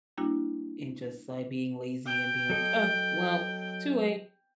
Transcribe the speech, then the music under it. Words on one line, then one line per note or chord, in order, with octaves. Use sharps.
and just, like, being lazy and being, like, "Uh, well, too late,"
G3 A#3 D4 E4 F#4
G5
F#3 A4 D#5